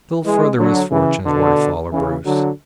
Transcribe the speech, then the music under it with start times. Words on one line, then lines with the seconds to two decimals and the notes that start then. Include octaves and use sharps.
Still further misfortunes were to follow Bruce.
0.24 E3 G#3
0.58 D3 F#3
0.90 C#3 E3
1.24 B2 D3
1.92 C#3 E3
2.25 D3 F#3